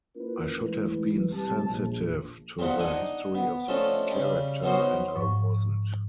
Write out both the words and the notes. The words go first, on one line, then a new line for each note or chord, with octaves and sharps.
I should have been sensitive to the history of the character and I wasn't.
A#3 C#4 E4 F4 A#4 B4
E3 G#3 A3 B4
C3 G3 A5
A#1
E2 G2 F3 D#4 F#5
D4 D#4 F#5 G#5
B3
F3 A3 C#4 D4 A4 D#5
C#3 G3
B3 C#4 D#4 F#4 C5
G#2 F3 C#6